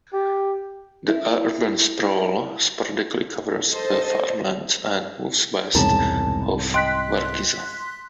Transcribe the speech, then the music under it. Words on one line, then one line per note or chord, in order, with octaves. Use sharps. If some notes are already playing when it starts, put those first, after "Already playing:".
The urban sprawl sporadically covers the farmlands and moves west of Varkiza.
G4
E4
A4 C5 D#5
E1 C2 G#2 A5 A#5
D#5 G5 C6 F#6 B6 D7